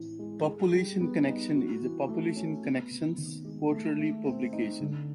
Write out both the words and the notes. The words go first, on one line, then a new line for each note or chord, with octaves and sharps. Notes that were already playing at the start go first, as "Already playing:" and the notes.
"Population Connection" is Population Connection's quarterly publication.
Already playing: A2 E3 C4
G#3
G#4
G3
B3
D#4
F#4
E3
A3
C#4
B3
C3
D#3
G#3
A3
A3
C4
D#4
D3